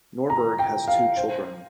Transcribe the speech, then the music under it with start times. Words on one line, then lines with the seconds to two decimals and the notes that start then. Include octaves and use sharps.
Norberg has two children.
0.30 A#5
0.59 G5
0.88 F5
1.17 C5